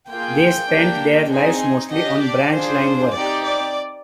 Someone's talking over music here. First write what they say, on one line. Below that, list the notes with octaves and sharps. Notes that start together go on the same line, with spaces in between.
They spent their lives mostly on branch line work.
A#3 F4 G#4 G5
A#3 D4 G4
C4 D#4 G#4 G#5
D4 G4 D#5
D5
D4 F4 G#4 C5
C4 D#4 G4 D5
D5